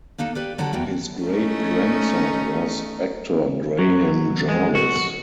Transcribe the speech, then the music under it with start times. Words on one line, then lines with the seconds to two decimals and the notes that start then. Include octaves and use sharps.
His great-grandson was actor Graham Jarvis.
0.18 A#3 D4 D#4 A4
0.35 G4 B4 D5
0.58 D3 F#3 A4 F#5 A5
0.73 E2 E3 F#3 G5
1.23 A3 C#4 D#4
3.79 F#3
4.48 G#3
4.75 F#4